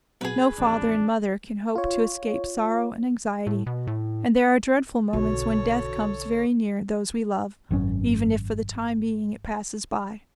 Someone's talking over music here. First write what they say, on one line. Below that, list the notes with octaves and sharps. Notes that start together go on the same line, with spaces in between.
No father and mother can hope to escape sorrow and anxiety, and there are dreadful moments when death comes very near those we love, even if for the time being it passes by.
B1 B2 G#4 B4
A1 F2 D4
F4 C#5
A2
B2
A2
B1 B2 D3 A4 C#5
G#1 F#2 C#4